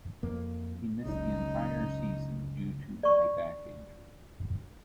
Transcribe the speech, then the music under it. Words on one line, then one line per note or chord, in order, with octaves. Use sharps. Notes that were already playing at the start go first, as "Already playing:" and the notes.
He missed the entire season due to a back injury.
F2 A#3
F#1 C#2 C#3 D#4
D5 C#6